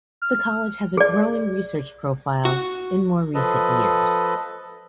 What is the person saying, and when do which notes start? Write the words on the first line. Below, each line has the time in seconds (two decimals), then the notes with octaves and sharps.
The College has a growing research profile in more recent years.
0.22 F6
0.97 G#4 D5
2.45 F#4
3.35 F3 A4 B4 D#5